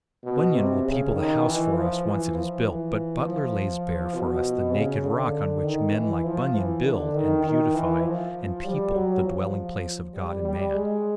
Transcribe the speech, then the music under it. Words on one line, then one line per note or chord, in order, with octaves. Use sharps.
Bunyan will people the house for us once it is built, but Butler lays bare for us the naked rock on which men like Bunyan build and beautify and people the dwelling-place of God and man.
B2
C3
C#3
D#3
E3
F3
E3
F3
E3
F3
B2
C#3
D3
D#3
E3
F3
E3
D3
D#3
D#3
E3
F3
G3
F#3
F3
G3
G3
G#3